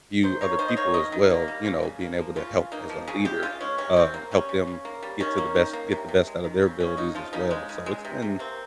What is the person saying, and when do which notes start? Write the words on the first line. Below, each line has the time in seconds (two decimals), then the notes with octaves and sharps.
view other people as well, you know, being able to help as a leader, um, help them get to the best get the best out of their abilities as well, so, it's been,
0.23 D#3 C5
0.41 A#3 C#5
0.59 D#3 C5
0.68 D#5
0.77 A#3 C#5
0.94 D#3 D#5
1.12 D#3
1.30 A#3
1.48 G3
1.66 C#3
1.83 C#3
2.01 A#3
2.18 F3
2.36 C#3 F4
2.54 C#3
2.72 A#3 D#4
2.90 F3
3.08 C#3 G#4
3.25 G#3 G4
3.43 C#3 F4
3.61 G#3 C#4
3.78 C3 C#4
3.96 C3 C4
4.14 A#3
4.31 G3 C#4
4.49 C#3
4.67 C#3
4.85 A#3
5.03 G3
5.20 D#3 C#4
5.38 A#3
5.56 D#3
5.73 A#3
5.92 C3
6.08 C3
6.27 G#3
6.44 D#3
6.62 C#3 C4
6.80 C#3 C#4
6.97 G#3 D#4
7.15 F3 F4
7.33 C#3 D#4
7.51 G#3
7.69 C#3
7.86 G#3
8.05 C3
8.22 C3
8.39 A#3 C4